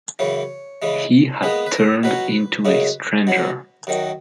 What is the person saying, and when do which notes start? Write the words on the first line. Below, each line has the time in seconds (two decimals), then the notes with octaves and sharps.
He had turned into a stranger.
0.19 F#2 C#3 E3 C#5
0.82 C#3 E3 G#3
1.43 A#2 G#3 B3 B4
1.66 B4
1.72 A#4
2.03 B2 F#3 C#4 B4
2.65 F#2 C#3 G#3 C#4
3.27 B2 F#3 C#4
3.87 F#2 D#3 F#3